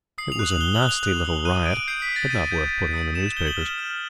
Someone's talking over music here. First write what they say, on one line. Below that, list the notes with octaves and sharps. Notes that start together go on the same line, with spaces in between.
It was a nasty little riot, but not worth putting in the newspapers.
D#6 C7
F7
F#6
F#7
F#6 G7
F#7
F#6
F7
F#6
D#6
F#6 D#7
D#6 D7
G6 C7
B6
D#6
A6
G6 D#7
G6
G6
D#6
D#6 E7
G6 G7
F#7
F6
F6